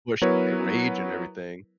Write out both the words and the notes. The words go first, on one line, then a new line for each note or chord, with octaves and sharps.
push, uh, rage and everything.
F#3 B3 E4 A#4 B4 C#5